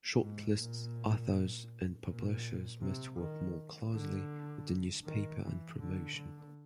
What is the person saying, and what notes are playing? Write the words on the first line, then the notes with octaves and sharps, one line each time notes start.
Shortlisted authors and publishers must work more closely with the newspaper on promotion.
G#2
A#2
A#2
C3
D#3
D3
D#3
E3
D3
D3